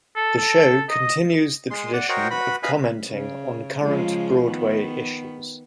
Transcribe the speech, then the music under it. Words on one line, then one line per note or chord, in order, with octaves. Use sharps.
The show continues the tradition of commenting on current Broadway issues.
A4
A4
D#5
G#3 C6
D5 F#5
F#4 A#4 C5 C#5 D#5 G5
F#4 B4 B5
B4 D#5 F5 G#5 B5
C#3
C#3 F3 G#3
D#3 B3